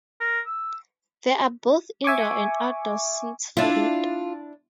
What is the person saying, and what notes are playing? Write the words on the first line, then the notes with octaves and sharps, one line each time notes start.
There are both indoor and outdoor seats for it.
A#4
E6
E5 G#5 C#6 D6
D4 E4 F4